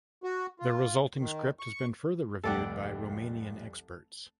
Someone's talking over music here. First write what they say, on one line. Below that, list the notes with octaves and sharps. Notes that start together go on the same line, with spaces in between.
The resulting script has been further reviewed by Romanian experts.
F#4
F4
D#3
C#6
F1 C2 A4 D5 F#5 G5